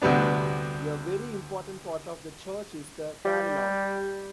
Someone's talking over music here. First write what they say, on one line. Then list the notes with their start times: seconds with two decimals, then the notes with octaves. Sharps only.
A very important part of the church is the carillon.
0.02 D2 G2 C3 B3 D4
3.25 G3